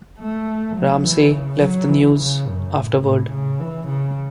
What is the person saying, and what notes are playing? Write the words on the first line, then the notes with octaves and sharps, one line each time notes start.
Ramsey left the "News" afterward.
A3
F#3
E3
C#3
F#3
E3
C#3
F#2
A2
A2
C#3
E3
C#3